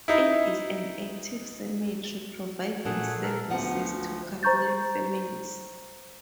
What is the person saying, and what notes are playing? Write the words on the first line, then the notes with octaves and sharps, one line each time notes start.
It is an active cemetery providing services to Catholic families.
D#4 E4
A#2 A3 G#4 F#5
A4 A#4
D2 F3 B3 F#5
C5 A#5 C#6 G6 A6